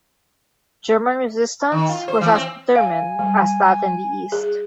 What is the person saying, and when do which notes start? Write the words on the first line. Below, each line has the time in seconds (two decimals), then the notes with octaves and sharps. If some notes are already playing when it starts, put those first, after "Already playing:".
German resistance was as determined as that in the east.
1.72 D#3
1.89 F4
2.08 C5
2.21 E3
2.34 C4
2.75 F5 G#5
3.19 G3
4.32 G#4